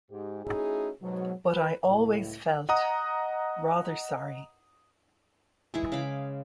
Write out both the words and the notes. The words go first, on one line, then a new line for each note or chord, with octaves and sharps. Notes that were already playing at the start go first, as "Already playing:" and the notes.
But I always felt — rather sorry.
G#2 G4
A3 C#4 D#4 E4 F#4 G#4
G#2 B2 F#3
B4
C#2 A2
D#5 F#5 A#5 D#6
E3 G#3 E4 G#4
C#3 F5 B5 D6